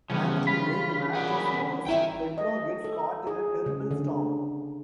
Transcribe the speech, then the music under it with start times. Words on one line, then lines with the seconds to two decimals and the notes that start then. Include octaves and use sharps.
And to make matters worse, Pedro gets caught in a terrible storm!
0.10 C#3 E3 F3 G3 B3 C#4
0.47 F4 B5
1.14 G#4 A#4 D5 F#5
1.87 G#1 E4 E5 G5 A#5
2.38 D#5
2.84 A4
3.27 G#4
3.66 C#3
3.91 D3